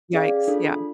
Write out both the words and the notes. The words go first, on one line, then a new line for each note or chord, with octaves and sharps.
Yikes, yeah.
C#4 G#4 D5 F5
D4 F4 A4